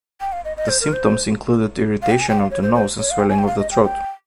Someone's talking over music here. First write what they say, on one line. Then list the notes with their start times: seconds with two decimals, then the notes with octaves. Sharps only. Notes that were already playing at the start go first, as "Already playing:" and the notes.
The symptoms included irritation of the nose and swelling of the throat.
0.21 G5
0.32 F5
0.45 D#5
0.57 D#5
0.69 C5
0.81 A#4
0.93 C5
2.02 F5
2.11 G5
2.21 G#5
2.29 G5
2.39 F5
2.51 C#5
2.63 C5
2.75 C5
2.99 C#5
3.11 F5
3.20 G5
3.29 G#5
3.39 G5
3.47 F5
3.59 D#5
3.71 G5
3.84 G5